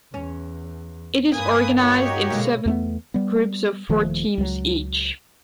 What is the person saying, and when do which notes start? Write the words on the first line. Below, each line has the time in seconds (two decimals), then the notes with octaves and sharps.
It is organized in seven groups of four teams each.
0.14 E2 C#4
1.32 G2 A#3 B4 G#5 D#6
1.77 D#4 F#4 G4 C#5
2.30 B2 D3 G#3 A#3 E4
2.66 E2 A3 B3
3.14 G3 B3
3.89 D#1 D#3 F3 A3
4.38 C#2 F#3